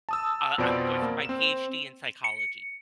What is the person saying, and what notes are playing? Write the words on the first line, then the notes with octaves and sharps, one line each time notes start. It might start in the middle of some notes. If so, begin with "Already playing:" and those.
Uh, I'm going for my PhD in psychology.
A5 D#6 E6
F2 B2 F3 C4 D5 D7
A#3
C4 E7
C#7